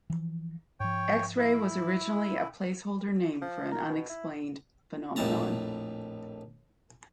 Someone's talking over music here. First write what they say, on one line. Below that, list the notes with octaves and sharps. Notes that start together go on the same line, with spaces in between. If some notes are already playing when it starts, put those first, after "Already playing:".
"X-ray" was originally a placeholder name for an unexplained phenomenon.
E3 F3
G#2 F3 C#5 G5
E4
F3
A#4
B2
E4
A#1 F2 A2 A5 A#5